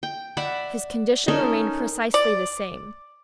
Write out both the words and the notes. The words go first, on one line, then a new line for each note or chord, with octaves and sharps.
His condition remained precisely the same.
G5
D5 E5 F#5 B5
C#4 D#4 A4 A#4
D5